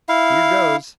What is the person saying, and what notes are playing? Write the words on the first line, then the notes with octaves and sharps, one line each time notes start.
"Here goes!"
E4 F5